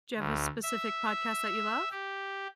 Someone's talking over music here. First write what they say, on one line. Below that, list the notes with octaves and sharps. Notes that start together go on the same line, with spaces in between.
Do you have a specific podcast that you love?
D2
E5
G4